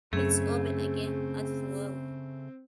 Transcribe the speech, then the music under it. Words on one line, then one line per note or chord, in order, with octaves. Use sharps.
It is open again at twelve.
F#2 C#3 A3 C4 G#4